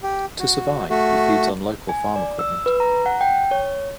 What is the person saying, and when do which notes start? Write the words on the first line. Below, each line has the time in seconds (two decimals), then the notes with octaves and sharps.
To survive, he feeds on local farm equipment.
0.03 G4
0.39 F#4
0.90 A3 F#4
1.89 G#5
2.16 D5
2.39 E6
2.66 B4
2.80 A#5
3.06 F#5
3.21 G5
3.51 C#5